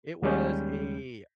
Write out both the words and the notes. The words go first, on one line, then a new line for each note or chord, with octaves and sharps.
it was a
D#2 G3 G#3 C#4 G6